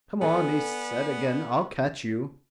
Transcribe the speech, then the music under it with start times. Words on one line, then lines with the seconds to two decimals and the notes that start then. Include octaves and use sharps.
"Come on!" he said again; "I'll catch you."
0.21 B3 A4 D5 G#5